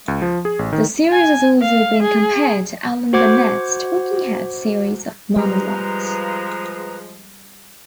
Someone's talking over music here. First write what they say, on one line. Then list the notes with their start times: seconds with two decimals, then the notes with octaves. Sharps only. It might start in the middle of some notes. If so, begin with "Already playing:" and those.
The series has also been compared to Alan Bennett's "Talking Heads" series of monologues.
0.08 C#2
0.22 F3
0.45 G#4
0.59 A1
0.73 D#3
1.12 G#5
1.62 F5
2.02 G#4
3.13 F#4 C5 F#5 D6 G#6
5.36 F3 G3 G#3 B4 A#5